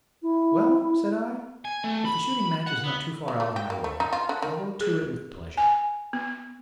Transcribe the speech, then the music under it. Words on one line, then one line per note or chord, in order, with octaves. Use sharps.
"Well," said I, "if the shooting-match is not too far out of my way, I'll go to it with pleasure."
E4
G#5
A3
B5
F#5
B3
F#3
A3
G4
A#3
A3
D#4
F4
D3
D#3
G#4
G#5
B3